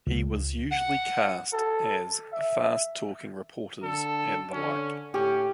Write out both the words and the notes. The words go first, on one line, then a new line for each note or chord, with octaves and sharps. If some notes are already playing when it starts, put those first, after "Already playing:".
He was usually cast as fast-talking reporters and the like.
C#2
F#5
A4
E5
D3 A4
D3 C#4
A2 C#4 G4